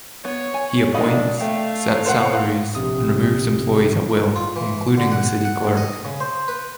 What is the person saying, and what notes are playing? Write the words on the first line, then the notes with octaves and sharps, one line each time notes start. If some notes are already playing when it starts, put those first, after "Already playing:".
He appoints, sets salaries and removes employees at will, including the city clerk.
B3 C#5
G#5
C4 D4 D#4 D#5 F5 F#5 B5
A3 F5 G5
A#4 C5 F#5
A#1 C3 D#6
F4
E3
D3
F#5
F#5
A2
D#5
C#3
C5
B4